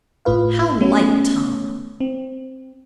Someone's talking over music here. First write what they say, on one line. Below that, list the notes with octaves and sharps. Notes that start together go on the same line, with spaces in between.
How like Tom!
G1 A2 F4 B4 F5
A3 B3 C#4
C4